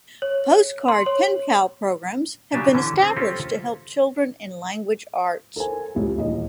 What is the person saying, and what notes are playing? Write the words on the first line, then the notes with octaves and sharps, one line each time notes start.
Postcard Penpal programs have been established to help children in language arts.
C#5
C6
C#5
C#3 F#3 D4 G4 G#5 A5
D3 E3 C#4
C4
C4 C#4 F4 G4 A4
A4 A#4 C5 G#5
C#2 A3 G4
D#1 D#2 E3 D#5